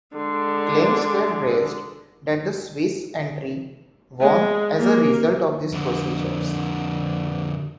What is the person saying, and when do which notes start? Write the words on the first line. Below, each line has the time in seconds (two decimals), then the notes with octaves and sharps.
Claims were raised that the Swiss entry won as a result of these procedures.
0.15 D3 G#3
4.20 G#3
4.78 A#3
5.72 F2 D3